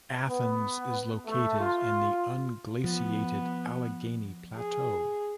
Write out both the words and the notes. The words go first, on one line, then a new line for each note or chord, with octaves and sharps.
Athens is located in the unglaciated Allegheny Plateau.
B3
A3
F4
F3 B3
G#4